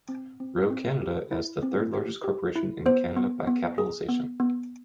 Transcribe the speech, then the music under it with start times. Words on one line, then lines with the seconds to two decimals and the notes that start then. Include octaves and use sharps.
Roe Canada as the third largest corporation in Canada by capitalization.
0.09 C4
0.40 C4
0.70 C4
1.01 G4
1.32 E4
1.63 C4
1.93 G4
2.24 G4
2.56 E4
2.86 B3 C5
3.17 B3
3.47 B3
3.78 G#4
4.09 B3
4.40 B3